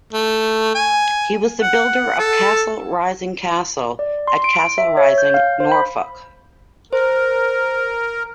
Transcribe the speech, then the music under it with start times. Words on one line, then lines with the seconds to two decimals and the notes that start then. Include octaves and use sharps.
He was the builder of Castle Rising Castle at Castle Rising, Norfolk.
0.13 A3
0.75 G#5
1.62 F#5
2.19 A4
3.99 D5
4.27 C6
4.44 D7
4.78 E5
4.97 C#5
5.18 G6
5.34 F5
5.60 C5
5.72 B5
6.93 A#4 C5